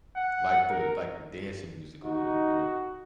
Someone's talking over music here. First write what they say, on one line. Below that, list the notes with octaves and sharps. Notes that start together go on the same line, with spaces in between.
Like the like the dancing music a little more.
F#5
A#4
D#4 F#4